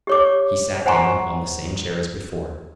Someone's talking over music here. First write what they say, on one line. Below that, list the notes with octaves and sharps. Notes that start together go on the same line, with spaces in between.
He sat down on the same chair as before.
G4 C#5 D6
C5 F#5 G#5 A#5 C6 C#6